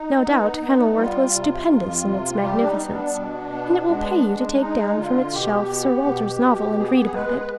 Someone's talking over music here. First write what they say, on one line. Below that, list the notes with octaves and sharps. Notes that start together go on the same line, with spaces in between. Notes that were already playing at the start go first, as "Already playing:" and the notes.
No doubt Kenilworth was stupendous in its magnificence, and it will pay you to take down from its shelf Sir Walter's novel and read about it.
Already playing: D#4
B3
B3
G3 F4
C3
F2
C3
G3 G4
D4
D#4
B3
D4
B2
B3
G#3
G#3
D4
G#3 D#4
D3 F4
B2 G4
B3
B2
B2
B3 G#4
G4
G#4
G#3 B4
G#4
B4